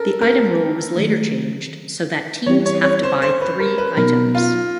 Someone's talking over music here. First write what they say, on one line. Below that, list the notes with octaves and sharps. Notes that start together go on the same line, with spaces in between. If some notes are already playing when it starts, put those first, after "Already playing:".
The item rule was later changed so that teams have to buy three items.
Already playing: A4 A#4
A#4
D#3 F#3 A3
E3 G3 C4 E4 G4 C#5
C#5
C#5
C5
C5
B4
A#4
B4
B2 F#3 B3 D#4 A#4
F4